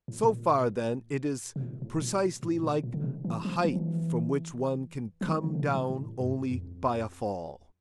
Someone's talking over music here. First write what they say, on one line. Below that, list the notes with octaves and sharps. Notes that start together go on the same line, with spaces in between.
So far, then, it is precisely like a height from which one can come down only by a fall.
A2
A#2
C3
A#2
A2
A#2
A2
A#2
A#2
D3
C3
E3
F3
F3
E3
F3
E3
D3
D3
C3
A#2
C3
A2
G2
F2